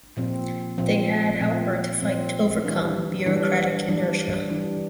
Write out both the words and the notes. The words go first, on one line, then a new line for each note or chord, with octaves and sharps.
They had, however, to fight to overcome bureaucratic inertia.
A#2 F3 C4
A#2 F3 C4
A#2 F3 C4
A#2 F3 C4
E3 G3 D4
E3 G3 D4
E3 G3 D4
E3 G3 D4